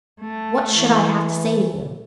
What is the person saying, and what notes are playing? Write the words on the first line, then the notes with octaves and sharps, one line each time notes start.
"What should I have to say to you?"
A3
E3